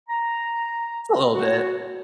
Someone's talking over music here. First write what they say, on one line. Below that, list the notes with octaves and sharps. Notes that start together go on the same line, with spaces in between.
A little bit.
A#5
F#4